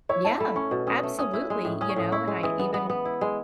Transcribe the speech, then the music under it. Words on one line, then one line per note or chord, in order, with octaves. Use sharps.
Yeah, absolutely, you know? And I even
E4 C#5
E4 A5
A3 B5
C#4 C#6
B2
C#4 D#6
A3
C#4 D#6
E4
G#3
A2
C#4 D#6
C#6
A2 D#6
E4 C#6
G#3
E3 D#6
B3
B3
B3
E4
G#3